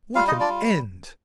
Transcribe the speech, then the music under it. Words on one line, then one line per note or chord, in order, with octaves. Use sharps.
What an end!
G3 F4 F5
D#4 D#5
F4
D4 D5
G3